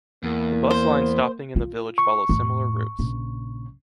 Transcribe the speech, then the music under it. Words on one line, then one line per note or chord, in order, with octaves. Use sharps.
The bus lines stopping in the village follow similar routes.
E2 A#3
C5
F4
C#6
F2 A2
A#1 C#3